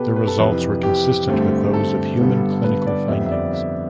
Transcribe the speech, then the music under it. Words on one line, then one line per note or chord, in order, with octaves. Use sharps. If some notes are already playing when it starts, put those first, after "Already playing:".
The results were consistent with those of human clinical findings.
Already playing: B2 B3 G4 A4 B4
B4
A4
F2 C3 E3 B4
G4
G2 D3 A3 C4
A4
G2 D3 G3 B3
B4
D5
F2 D3 G3 B3 E5
E5
D5
E5